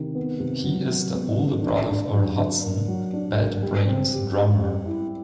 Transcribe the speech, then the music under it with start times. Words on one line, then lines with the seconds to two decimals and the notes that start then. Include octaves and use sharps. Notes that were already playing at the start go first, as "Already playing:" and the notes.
He is the older brother of Earl Hudson, Bad Brains' drummer.
Already playing: C3 D#3
0.15 B3
0.40 C3
0.64 F#3
0.89 F#3
1.15 B3
1.38 D#3
1.63 D4
1.89 D4
2.14 F#3
2.38 D4
2.63 A#3
2.88 F#3
3.13 D4
3.37 A#3
3.63 G3
3.87 C4
4.13 G4
4.37 G4
4.61 G3
4.86 E4